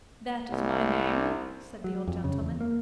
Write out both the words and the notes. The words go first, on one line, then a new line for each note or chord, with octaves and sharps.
'That is my name,' said the old gentleman.
C2
F#3
F2
C#3
E2
A#3